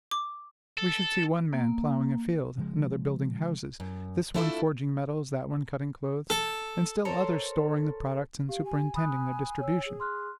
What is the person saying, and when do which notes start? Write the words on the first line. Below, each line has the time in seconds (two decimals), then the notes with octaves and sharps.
We should see one man plowing a field, another building houses; this one forging metals, that one cutting clothes; and still others storing the products, and superintending their distribution.
0.11 D6
0.78 A4
1.53 A#3
2.58 C#3 F3 G#3
3.80 F#2
4.34 A3 B3 D4 E4 F4 A4
6.30 A4
7.05 A4 A#4 C5 C#5
8.49 G4 F5
8.65 G#5
8.95 B5 D#6 F#6
9.60 C#5 E6
9.86 G#4
10.00 C6 F6 F#6